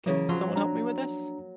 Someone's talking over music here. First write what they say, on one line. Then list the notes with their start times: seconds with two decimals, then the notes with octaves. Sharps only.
Can someone help me with this?
0.06 C#3 F#3 A#3 C#5
0.29 F3 F#3 C6
0.56 D4 A#5